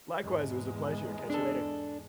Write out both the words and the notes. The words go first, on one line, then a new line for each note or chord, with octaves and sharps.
Likewise, it was a pleasure, catch you later.
E2 G#2 G#3
D4 A4